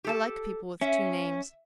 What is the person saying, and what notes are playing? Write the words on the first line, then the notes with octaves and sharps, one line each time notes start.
I like people with two names.
G4 A4 A5
C#4 E5